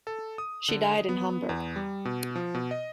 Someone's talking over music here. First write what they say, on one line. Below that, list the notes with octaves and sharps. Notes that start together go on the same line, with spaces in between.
She died in Hamburg.
A4
D#6
D3
B3
E2
G3
B2
F3
B2
D#5